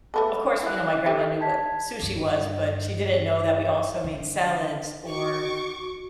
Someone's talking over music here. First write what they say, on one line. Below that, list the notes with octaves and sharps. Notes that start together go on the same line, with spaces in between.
of course, you know, my grandma knew what sushi was, but she didn't know that we also made salads or
A3 B3 A4
E4 F#5 G#5 F#6
G4 A4
A5 G#6 B6
G2
D3
F#4 C#6 D6